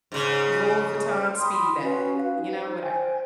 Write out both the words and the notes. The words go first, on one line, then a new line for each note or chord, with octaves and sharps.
Louis Vuitton speedy bag, you know, whatever.
G#2 C#3
G5 B5 C6 D#6
C#4 F#4 B4
B4 F5 F#5
D#4
C5
C5 G5 G#5